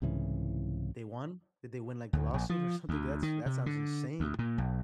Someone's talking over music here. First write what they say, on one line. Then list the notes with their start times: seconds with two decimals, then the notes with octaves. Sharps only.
They won? Did they win, like, the lawsuit or something? That's that sounds insane.
0.02 C2 G#2 C#3 E3
2.13 D2
2.34 A#1
2.50 F3
2.89 D2
3.23 D#3
3.46 C3
3.66 D3
4.20 D2
4.39 A#2
4.58 B1